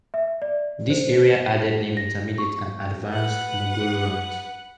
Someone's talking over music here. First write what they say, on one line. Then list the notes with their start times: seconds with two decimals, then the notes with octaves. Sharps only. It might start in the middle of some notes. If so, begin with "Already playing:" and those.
This area added new intermediate and advanced mogul runs.
0.14 E5
0.42 D5
0.90 C5
1.97 A#6
2.38 C#6
3.11 B4 F#5